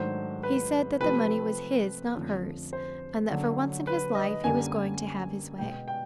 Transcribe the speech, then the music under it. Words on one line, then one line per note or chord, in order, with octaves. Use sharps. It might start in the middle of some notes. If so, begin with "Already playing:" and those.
He said that the money was his, not hers, and that, for once in his life, he was going to have his way.
Already playing: G#2 D#3 F#3 A3 D4 C5
B4
C3 F3 A3 C4 B4
F2 D3 F3 A3 C#4
C5
D3 F#3 A#3 C#4
B4
D#5
F#2 D3 G3 A#3 G#5
B2 G#3 B3 G5
G5